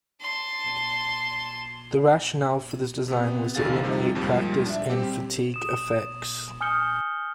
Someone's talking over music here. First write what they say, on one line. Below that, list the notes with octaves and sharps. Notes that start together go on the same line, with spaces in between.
The rationale for this design was to eliminate practice and fatigue effects.
A5 C6
C3 B3
A1 D#2 D3 G#4 F5 A6
F2 C3 F3 G3 D#4
D#2 G#2 F3 G3
D4 E5
G3 C4 G4
D#6 E7
G#5 D#6 F6 G6 C#7 G7